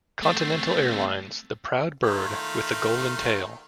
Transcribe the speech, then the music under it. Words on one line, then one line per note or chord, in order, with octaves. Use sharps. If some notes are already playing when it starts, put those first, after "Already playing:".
Continental Airlines: the Proud Bird with the Golden Tail.
A3 C4
D#3 A3 F4